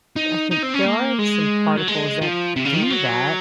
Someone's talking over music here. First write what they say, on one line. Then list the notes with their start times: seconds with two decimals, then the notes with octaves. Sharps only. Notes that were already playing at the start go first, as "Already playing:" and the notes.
I think there are some particles that do that.
0.16 D#4
0.51 D#4
0.63 C4
0.74 C#4
0.85 A#3
1.19 G#3
1.77 F#3
1.88 G#3
2.22 F3
2.56 C3
2.65 C#3
2.74 D#3
2.83 F3
2.90 F#3